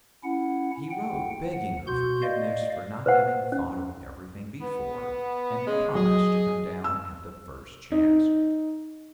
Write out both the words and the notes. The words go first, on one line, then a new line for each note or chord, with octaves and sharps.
He wrote begging her forgiveness for not having thought of everything before, and promised to come down at the first chance.
C#4 E4 F#5
F#5 G5
F#5
B2 F#4 C6 G6
D5 D#5 F5
B4 C5 F#5
C#4
B3
C#3 G#3
F#3 G#4 D#5
E6
D#4